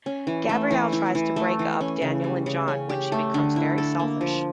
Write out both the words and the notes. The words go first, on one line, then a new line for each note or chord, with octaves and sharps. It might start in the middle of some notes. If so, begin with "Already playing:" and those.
Gabrielle tries to break up Danielle and John when she becomes very selfish.
C#4
E3
A3
E3
E4
E3
A3
E3
C#4
C#3
G3
C#3
C#4
G4
A3
D3
E4
A4
A#3
F3